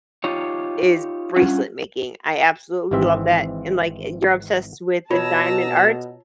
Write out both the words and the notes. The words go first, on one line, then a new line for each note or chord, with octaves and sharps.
is bracelet making. I absolutely love that, and, like, you're obsessed with the diamond art,
D#4 F4 G4 C#5
G2 C#4 F4 F#5
G#1 G#2 E3 C4 E5
B2 F4 C#5 A5 A#5 E6